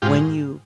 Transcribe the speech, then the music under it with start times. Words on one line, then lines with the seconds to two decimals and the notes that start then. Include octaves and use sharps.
when you
0.02 G#2 F4 G4